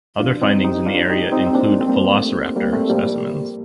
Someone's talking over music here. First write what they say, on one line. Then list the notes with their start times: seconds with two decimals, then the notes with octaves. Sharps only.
Other findings in the area include “Velociraptor” specimens.
0.18 G2 D3 F3 D4 F4
0.42 C4 D#4
0.64 D#4 G4
0.86 D4 F4
1.10 D#4 G4
1.32 C4 D#4
1.46 C4
1.55 A#3 D4
1.81 C4
1.88 G3 A#3
2.22 A3
2.56 G3 A#3
2.73 A3 C4
2.90 A2 F3 G3 A#3